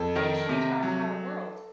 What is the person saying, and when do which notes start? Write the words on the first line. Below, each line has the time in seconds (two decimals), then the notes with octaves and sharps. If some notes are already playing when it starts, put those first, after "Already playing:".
it changed my entire world.
Already playing: F2 A4
0.16 D#3
0.49 C3
0.82 F#3